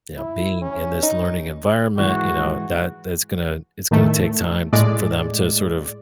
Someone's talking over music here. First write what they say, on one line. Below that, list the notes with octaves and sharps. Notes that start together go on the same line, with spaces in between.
you know, being in this learning environment, you know, that that's gonna it's gona take time t for them to sort of
E4
C#4
D#4
G#2 E3 G#3 F#4
A2 D#3 A3
A2 G#3 D5